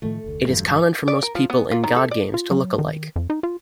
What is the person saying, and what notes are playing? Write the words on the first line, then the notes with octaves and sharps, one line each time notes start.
It is common for most people in god games to look alike.
A2 D#3 F3 A3
F1 D2
E1 G2 E3 F#3 G3
D5
A#4
F3
B3
F4
D#3
A4
D5
F4
F#3
D#3
F2
D#4
F4